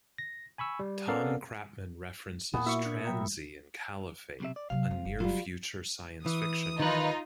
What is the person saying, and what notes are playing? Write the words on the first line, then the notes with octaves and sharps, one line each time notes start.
Tom Kratman references tranzi in "Caliphate", a near future science fiction novel.
A#6
G#5 B5 C#6 E6
G3
B3 C#4 A4 A#4 D5 F5
A#2 B3 G#5
A#3 E4 F#4 E5 C#6
D4
F#3 G5 A#5
B1 C3 E5
D5
C3 F#3 F5
G#3 C4
F#1
F#3 G3 F4
E3 D#6
D#3 D#4 F4 B4 D#5